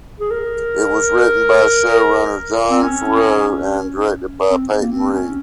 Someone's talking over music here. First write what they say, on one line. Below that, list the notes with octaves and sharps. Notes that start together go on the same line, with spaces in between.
It was written by showrunner Jon Favreau and directed by Peyton Reed.
G#4
A#4
C4
C#4
C4
A#3
C4
C#4